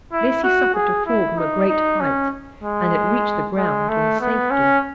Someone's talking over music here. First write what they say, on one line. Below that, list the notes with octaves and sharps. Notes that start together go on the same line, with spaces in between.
This he suffered to fall from a great height, and it reached the ground in safety.
E4
F#4
G#4
E4
D#4
D#4
C#4
G#3
G#3
A3
B3
C#4